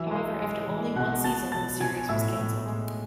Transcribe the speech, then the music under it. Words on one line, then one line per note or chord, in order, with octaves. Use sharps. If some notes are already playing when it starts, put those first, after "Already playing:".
However, after only one season, the series was cancelled.
Already playing: E3 F#3 E5 E6
G#3
G#3
E3
B2 F#5 F#6
B2 A5 A6
F#3 A5 A6
B2 G#5 G#6
A2 E5 E6
A2
G#3